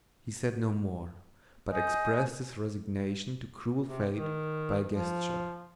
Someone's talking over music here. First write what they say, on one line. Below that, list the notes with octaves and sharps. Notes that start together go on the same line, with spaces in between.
He said no more, but expressed his resignation to cruel fate by a gesture.
D#5 G#5 D#6 G6
C3
D#3
F3